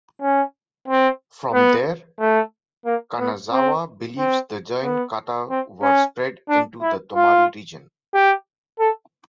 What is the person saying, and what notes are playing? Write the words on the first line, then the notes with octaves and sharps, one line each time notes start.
From there, Kanazawa believes the Jion kata were spread into the Tomari region.
C#4
C4
B3
A3
A#3
B3
C4
C4
B3
C4
C#4
D4
E4
F4
G4
A4